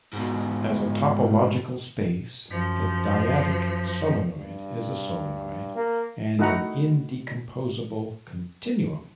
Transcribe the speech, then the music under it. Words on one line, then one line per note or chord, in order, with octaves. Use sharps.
As a topological space the dyadic solenoid is a solenoid, and an indecomposable continuum.
G#2 B2
F#2 F3
G2
A#3
A3 D#4 E4 F#4 F#5 A#5